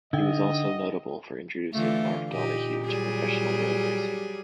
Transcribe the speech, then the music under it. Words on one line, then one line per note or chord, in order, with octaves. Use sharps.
He also was notable for introducing Mark Donohue to professional road racing.
D3 D#4 D#5 F#5 G5
D3 E3 A3 F4
A#2 D#4 G4
F#3 G3 G#4